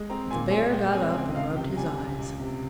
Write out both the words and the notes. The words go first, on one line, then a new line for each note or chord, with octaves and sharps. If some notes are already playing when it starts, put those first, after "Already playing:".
But the Bear got up and rubbed his eyes.
Already playing: G#3
C4 A#5
A#2 G#5
A#2 G#5
G#3 G5
C4 G#5
C#2 G#5
D#5
C#2 F5
C3 G5
G3 G#5
C#2
C#2
C3